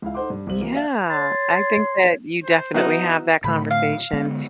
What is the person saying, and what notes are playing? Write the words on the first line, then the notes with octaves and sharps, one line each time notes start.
Yeah, I think that you definitely have that conversation.
C#2 E4 F5
D#4 A4 C5 F#5 C6 D6
G2
C2 G3 C4 F#7
E3 F#3 A#3 B3
D5 E5 F5
C#5 C6 A6
C5
F#3 B3 D#4 E4 F#4
A2 D3 A3 B5
F5
D3 G#3 B3